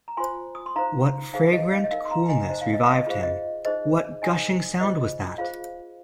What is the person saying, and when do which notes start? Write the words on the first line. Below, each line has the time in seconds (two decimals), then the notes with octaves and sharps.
What fragrant coolness revived him; what gushing sound was that?
0.08 A#5
0.17 F4 C5 G#5 C6
0.55 D#6
0.66 C6
0.76 D#4 C5 F5 A#5
1.33 D#4 G#4 C5 F5
1.53 D#5
1.72 F5
1.84 D#5
1.91 D#4 A#4 F5
2.05 C6
2.10 F5 A#5
2.29 D#5 G#5
2.49 D#4 C5 D#5
2.61 F5
2.74 D#5
2.87 F5
2.98 D#5
3.06 F4 G#4 C5 F5
3.23 D#5
3.65 D#4 G#4 C5 D#5
4.22 D#4 G#4 C5 D#5 G#5
4.80 F4 G#4 C5 D#5
5.38 F4 G#4 C5 F5